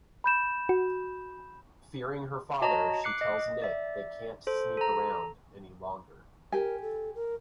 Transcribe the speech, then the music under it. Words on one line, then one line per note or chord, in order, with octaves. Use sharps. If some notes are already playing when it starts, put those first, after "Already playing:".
Fearing her father, she tells Nick they can't sneak around any longer.
B5 G6 E7
F#4
F#4 C#5 D#5 A5 A#5
D6 F#6 C7 C#7
D#5
D5 E5
A4 C5
A4 A#5
G4 A#4 G#5
A4
A#4